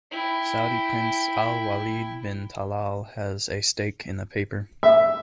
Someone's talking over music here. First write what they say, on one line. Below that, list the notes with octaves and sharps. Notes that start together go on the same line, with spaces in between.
Saudi Prince Al-Waleed bin Talal has a stake in the paper.
E4 G5
E5